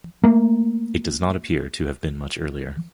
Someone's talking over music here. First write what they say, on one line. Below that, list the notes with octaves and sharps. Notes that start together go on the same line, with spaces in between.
It does not appear to have been much earlier.
A3 A#3